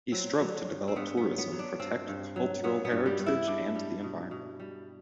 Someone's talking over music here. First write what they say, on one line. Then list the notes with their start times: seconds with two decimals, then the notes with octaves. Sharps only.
He strove to develop tourism, protect cultural heritage and the environment.
0.12 F#3 C4
0.40 F#3
0.68 G2
0.88 C4
0.96 G2 B3
1.17 B3
1.24 F#3
1.38 B3
1.52 F#3
1.59 D4
1.80 G2 C4
2.08 G2
2.36 F#3
2.64 F#3 B3
2.85 B3
2.92 G2
3.06 G3
3.19 G2
3.26 E4
3.47 G3 D4
3.75 G3
4.03 B2
4.31 B2
4.60 G3